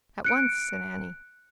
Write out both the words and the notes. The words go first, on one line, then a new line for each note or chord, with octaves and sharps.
"At once," said Annie.
F#6 C#7 D7